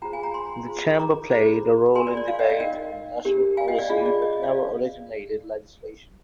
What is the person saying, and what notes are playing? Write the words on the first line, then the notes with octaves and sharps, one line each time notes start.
The Chamber played a role in debate on national policy but never originated legislation.
F4 G#4 C5 G5 A#5
F5 G#5
G5 A#5
G#5 C6
F4 G#4 C5
A#5 D6
D#6
D4 F4 G#4 C5 A#5 D6
F4 A#4 G#5 C6
D5
D5
D5 F5
D#5 G5
D5 F5
D#4 A#4 D#5 G5
D4 G4 A#4
F5 G#5
D#5 G5
D5 F5
D4 F4 G#4 D#5
D5
D#5
D#5
D5 F5